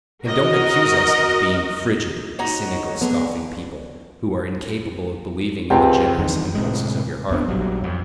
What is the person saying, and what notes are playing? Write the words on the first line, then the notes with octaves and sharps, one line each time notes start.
And don't accuse us of being 'frigid, cynical, scoffing people,' who are incapable of believing in the generous impulses of your heart....
F#4 A#4 D#5
D#4 F#4 C#5
D3 G#3 B3
C#2 C4 G4
E2 G2 D#3
A2 C3 G#3
D1 E2 B3 D4
A#1 G2 F#3 G3
F2